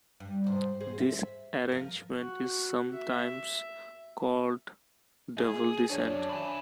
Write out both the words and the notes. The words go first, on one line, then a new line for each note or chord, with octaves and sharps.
This arrangement is sometimes called double descent.
G2
G#2 C5
E2 G#4 C5
E5
F3 A#4
F#4
E5
G#4
F#2 D4 C#5
G#5 B5